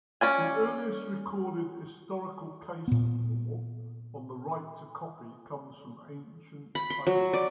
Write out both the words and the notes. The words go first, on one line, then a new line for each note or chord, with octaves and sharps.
The earliest recorded historical case-law on the right to copy comes from ancient Ireland.
C#4 D5 G#5
A#2 B3
B5
C6
F#3
D5